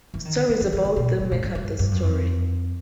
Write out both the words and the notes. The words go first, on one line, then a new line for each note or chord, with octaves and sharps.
Stories about them make up the story.
E3
D#3
D3
D#3
D#3
D#3
D3
B2
A#2
A2
A2
G2
G2
G2
F#2
F2